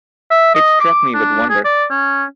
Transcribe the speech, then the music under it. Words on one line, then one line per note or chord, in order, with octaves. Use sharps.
It struck me with wonder.
E5
D#5
D6
D4
G#4
D5
C#4